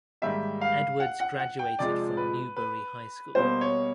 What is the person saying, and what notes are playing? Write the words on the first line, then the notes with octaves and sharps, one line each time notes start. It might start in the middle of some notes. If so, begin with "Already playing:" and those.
Edwards graduated from Newberry High School.
G#2 D#3 G3 A#3 E5
F5
F#5
F#5
F#5
G5
F2 C3 F3 G#3 D5
B4
B4
B2 G3 A#3 C5
C#5